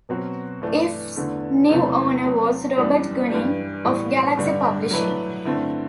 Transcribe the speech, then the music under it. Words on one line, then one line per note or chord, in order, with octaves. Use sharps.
"If"'s new owner was Robert Guinn, of Galaxy Publishing.
B2 F#3 C4 F#4
G2 E3 A3 D4
E2 D3 A3
E2 C3 F#3 A3 E4
F#3 A3 C4
F#2 E3 G3 B3 D4
G2 E3 G3
A2 E3 G3 B3
G2 D3 G3 D4
F#3 A3 E4 B4 D5
G2 D3 A3 C4 E4